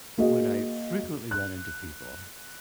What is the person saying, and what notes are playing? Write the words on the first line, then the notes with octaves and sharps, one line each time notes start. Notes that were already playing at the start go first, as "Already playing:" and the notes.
when I frequently run into people
A#3 F#4 G#4 D#5
F#6